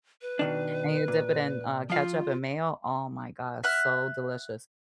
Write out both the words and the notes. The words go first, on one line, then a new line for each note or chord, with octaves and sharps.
and you dip it in, uh, ketchup and mayo oh my god, it's so delicious,
B4
B2 D#3 D4
A#2
F3 F4 F5
E5 F#5 F6 F#6